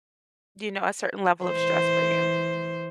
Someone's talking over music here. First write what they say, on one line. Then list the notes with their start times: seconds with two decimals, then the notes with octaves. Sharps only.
you know, a certain level of stress for you?
1.46 E3 C5